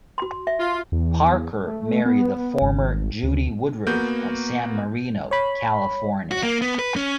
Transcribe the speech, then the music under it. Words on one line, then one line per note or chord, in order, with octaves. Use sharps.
Parker married the former Judy Woodruff of San Marino, California.
F#4 C6
E5
F4
E2
A3
B3
G#1
D2
A#3 B3 F#4 G6
C#5 B5
F#4
A#3
B3
B4
C#4